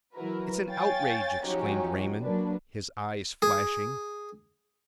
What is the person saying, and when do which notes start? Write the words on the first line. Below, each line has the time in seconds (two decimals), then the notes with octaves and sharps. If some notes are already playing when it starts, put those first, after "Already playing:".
"It's an outrage!" exclaimed Raymond, his eyes flashing.
0.14 E3 F#3 E4 F#4 A#4 B4
0.70 C#5 F5 G5 G#5 A6
1.44 F3 F#3 C#4 D#4 F#4 G4
2.21 F#3 A#3 D4 B4
3.42 G#4